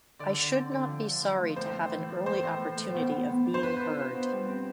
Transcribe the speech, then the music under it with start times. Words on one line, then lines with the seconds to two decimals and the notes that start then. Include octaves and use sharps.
I should not be sorry to have an early opportunity of being heard.
0.19 D3 D5
0.37 D3
0.54 C4
0.71 D3
0.88 F3
1.05 D3
1.23 F3
1.40 A3
1.56 A2 C5
1.74 A2
1.91 E3
2.09 A2
2.26 A2 C5
2.43 A2
2.60 A2
2.77 A2
2.95 B2
3.12 B3
3.29 B3
3.46 D4
3.54 C5
3.63 F4 B4
3.80 D4
3.97 F4
4.14 B2
4.32 G3
4.48 C4